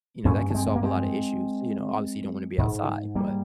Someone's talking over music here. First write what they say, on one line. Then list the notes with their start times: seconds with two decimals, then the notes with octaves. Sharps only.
you know, that could solve a lot of issues. You know, obviously you don't wanna be outside, but,
0.25 G2 A#3 C#4
0.50 C#4
0.54 G#3 C4
0.67 G#3
0.76 A#3
0.83 G#3 C4
2.58 G#2
3.15 G3 A#3